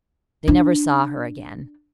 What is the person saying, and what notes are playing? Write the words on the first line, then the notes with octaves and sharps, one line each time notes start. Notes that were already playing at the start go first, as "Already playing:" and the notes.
They never saw her again.
D4